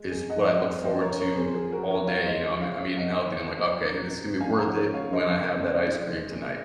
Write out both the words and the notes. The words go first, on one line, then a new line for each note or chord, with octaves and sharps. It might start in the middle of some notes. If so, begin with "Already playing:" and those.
is what I look forward to all day, you know, I'm I'm eating healthy and I'm, like, “Okay, this is gonna be worth it when I have that ice cream tonight,”
Already playing: G#3
C3 G#4
D#5 F#5
F3
D#5 F#5
C3
F3 C5 D#5
A#4 C#5
F3
A#4 C#5
C3
G#4 C5
F3 G#4
F#4 A#4
F3
A#4 C#5
F3
C#5 F5
G#3 C5 D#5
F3
C#5 F5
C#3
C#5 F5
C3 D#5 F#5
D#3
C3
F#3
F#3
C3
C#3 F5 G#5
F#5 A#5
F3
A#4 C#5
C#3
C#5 F5
F3 C5 D#5
C#3
G#3
F3
G#3
A#2